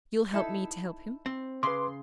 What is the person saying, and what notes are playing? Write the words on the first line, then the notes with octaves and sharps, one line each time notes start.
You'll help me to help him?
D#4 E4 A4
C4
C#3 B4 C6 D6